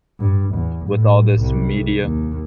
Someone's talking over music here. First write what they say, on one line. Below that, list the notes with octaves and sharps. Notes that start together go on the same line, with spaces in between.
with all this media.
G2
E2
A2
C2
D#2